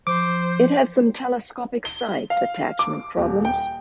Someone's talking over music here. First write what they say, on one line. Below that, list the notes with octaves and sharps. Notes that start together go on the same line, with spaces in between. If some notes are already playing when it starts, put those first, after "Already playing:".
It has some telescopic sight attachment problems.
F3 C5 D6
G7
F5
D6
D#1
G5